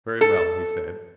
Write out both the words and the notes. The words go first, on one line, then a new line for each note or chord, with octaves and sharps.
"Very well," he said.
A4